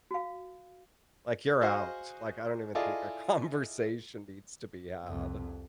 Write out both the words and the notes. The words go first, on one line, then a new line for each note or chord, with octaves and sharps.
Like you're out. Like I don't even think a conversation needs to be have
F#4 F5
F#4 G#4 C5 D#5 F5
E4 F4 G#4 A4 D5 D#5
C2 F2